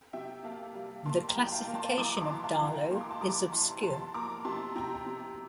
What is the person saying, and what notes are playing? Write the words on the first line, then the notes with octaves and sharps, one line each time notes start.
The classification of Dahalo is obscure.
C3 E5 G5
A#3 F5 A5
G3
A#3 A5 C6
G5 A#5
E3
G5
F5 A5
A#3
A5 C6
E3 A#5 D6
D6
A5 C6
E3
F5 A5
E3
G5 A#5
A#3 C6
D6
A5 C6
G3 A#5 D6
E3 A5 C6
F3 A5 C6
A#3 A#5 D6
C3 A5 C6
C3 G5 A#5
C3